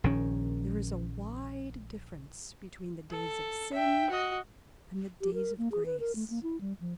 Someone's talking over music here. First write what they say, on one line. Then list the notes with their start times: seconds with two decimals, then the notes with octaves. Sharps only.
There is a wide difference between the days of sin and the days of grace.
0.04 A#1 D#3 C#4
3.11 A4
3.73 E5 G5
4.10 F#4 D#5
5.21 G4
5.34 A#4
5.58 A#3
5.72 G#4
5.86 B4
6.00 A#4
6.15 A3
6.30 A#3
6.43 E4
6.61 G3
6.81 F3